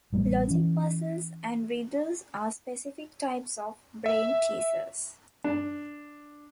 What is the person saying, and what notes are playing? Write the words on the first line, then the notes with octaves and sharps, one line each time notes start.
Logic puzzles and riddles are specific types of brain teasers.
A1 G3 G#3 A#3
E3 C#4
E5
D4